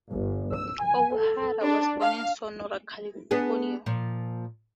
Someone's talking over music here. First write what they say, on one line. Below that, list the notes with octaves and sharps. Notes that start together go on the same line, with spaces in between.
O'Hara was born in Sonora, California.
G1
E6
G#5
A4
D4
F5
B3 D4 G#4
A#2 F3